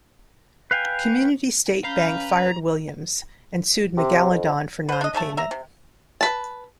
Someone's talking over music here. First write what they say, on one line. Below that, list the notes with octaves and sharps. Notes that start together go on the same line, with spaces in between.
Community State Bank fired Williams and sued Megaladon for nonpayment.
B4 F5 G5 G#5
C#4 B4 F5 A#5 G6
C3
F2
B4 C5
D4 D#5
C#3 A3 A5
E5 A#5
C3
B4 A5